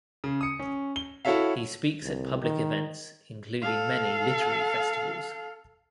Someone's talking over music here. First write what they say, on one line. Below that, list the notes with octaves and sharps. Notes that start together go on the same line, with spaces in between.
He speaks at public events including many literary festivals.
C#3
D#6 C#7
C#4
G7
E4 F#4 A4 C#5 E5 F5
C2
D#3
A4 F5